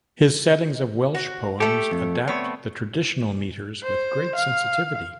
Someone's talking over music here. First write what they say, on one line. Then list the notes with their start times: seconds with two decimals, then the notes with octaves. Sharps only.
His settings of Welsh poems adapt the traditional metres with great sensitivity.
1.14 F#4
1.60 A3 G4 A4
1.92 F2
2.27 A3 B3 C4 C#5
3.83 C5
4.36 F5